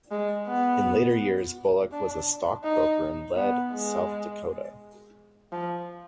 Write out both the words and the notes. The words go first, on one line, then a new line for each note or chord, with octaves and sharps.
In later years Bullock was a stockbroker in Lead, South Dakota.
G#3
B3
D4
D#4
B3
G#3
F3